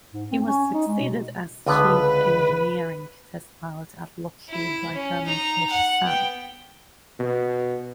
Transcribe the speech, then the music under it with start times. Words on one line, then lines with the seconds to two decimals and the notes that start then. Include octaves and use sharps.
He was succeeded as chief engineering test pilot at Lockheed by Herman "Fish" Salmon.
0.13 G#2
0.31 C4
0.45 C#4
0.73 D#4
0.87 G#3
1.00 B2
1.66 C#2 D3 B3 B4
4.48 E4
4.94 C#4
5.26 D#4 A#5
5.70 F#5
6.04 B3 G5
7.19 B2